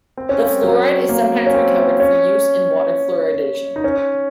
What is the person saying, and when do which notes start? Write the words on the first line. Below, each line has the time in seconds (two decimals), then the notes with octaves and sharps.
The fluoride is sometimes recovered for use in water fluoridation.
0.17 C4
0.29 C#4
0.42 C4
0.64 F#3
1.09 A#3
1.47 C#4
1.54 C4
2.00 C#4
3.76 D#4
3.84 C#4